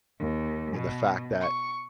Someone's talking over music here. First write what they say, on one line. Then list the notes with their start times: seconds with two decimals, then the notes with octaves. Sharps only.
And the fact that
0.18 D#2
0.75 B2
1.40 C#6